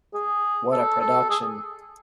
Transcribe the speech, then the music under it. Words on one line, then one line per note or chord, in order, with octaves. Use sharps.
What a production!
G#4
A4
A4
G#4